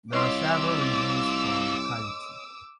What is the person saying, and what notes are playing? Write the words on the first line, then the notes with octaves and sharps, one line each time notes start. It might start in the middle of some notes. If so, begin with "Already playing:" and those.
There are several reasons for locality.
C2 F4 G4 C#5 D#5 C6 D6 E6